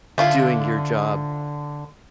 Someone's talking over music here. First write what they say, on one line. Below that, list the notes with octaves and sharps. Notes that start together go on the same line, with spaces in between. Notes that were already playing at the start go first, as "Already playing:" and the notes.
doing your job,
D3 F3 E4 F4